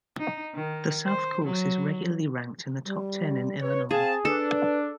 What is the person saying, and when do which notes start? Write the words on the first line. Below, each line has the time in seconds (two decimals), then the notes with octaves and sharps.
The South Course is regularly ranked in the top ten in Illinois.
0.19 D#4
0.54 D#3
1.05 C5
1.45 F#3
2.86 G3
3.61 B4 C#5
3.91 C4 G#4 F5 A5
4.25 D4 A4 B4